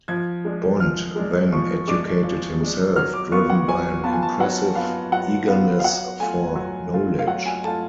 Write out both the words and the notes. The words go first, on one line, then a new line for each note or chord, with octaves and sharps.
Bond then educated himself, driven by an impressive eagerness for knowledge.
F3 G#6
G#3 D4
F3 F6
G#3 D4
F3 C#6
G#3 D4 D6
F3
G#3 D4
F#3 F6
D6
B3 F4 C#6
F#5
F#3 G#5
B3 F4 A5
G#5
A5
F#3 F#5
B3 F4 F5
F#3 F#5
B3 F4 F5
F5
F#3 F#5
A3 F4 G#5
F#3
A3 F4
F5
F#3 F#5
G#5
A3 F4 A5